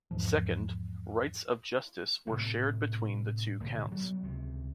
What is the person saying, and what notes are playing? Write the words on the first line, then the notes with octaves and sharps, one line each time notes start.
Second, rights of justice were shared between the two counts.
E2 G#2 F3
A2 C3 A3
B1 A2 D3
F#3 G3 B3
C#2 C3